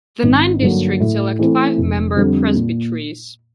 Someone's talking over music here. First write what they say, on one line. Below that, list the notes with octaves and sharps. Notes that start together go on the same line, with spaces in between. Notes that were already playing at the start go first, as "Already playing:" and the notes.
The nine districts elect five member presbyteries.
G#1
G2 D3 F#3 A#3
A2
E3 A3 C4 E4
F1
F2 D3 G3 C4
A#2